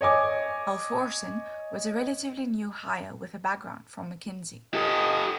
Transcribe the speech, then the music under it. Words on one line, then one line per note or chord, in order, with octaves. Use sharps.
Halvorsen was a relatively new hire with a background from McKinsey.
C#5 D#5 G#5 D6
G4 A4 D#5